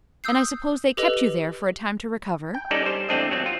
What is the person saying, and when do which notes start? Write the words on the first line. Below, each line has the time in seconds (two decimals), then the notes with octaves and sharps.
"And I suppose they kept you there for a time to recover?"
0.24 D#6 E6 G6 C7
0.97 G4 A4 B4 D#5
2.55 G5
2.71 G3 C#4 D#4 A4 D5
2.86 G3 C5
3.09 E2 A3 C4 D4 D#5
3.31 F#3 C4
3.46 F4